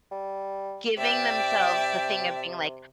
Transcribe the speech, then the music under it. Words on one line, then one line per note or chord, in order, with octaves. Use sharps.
giving themselves the thing of being like,
G3
C3 D5 E5 G5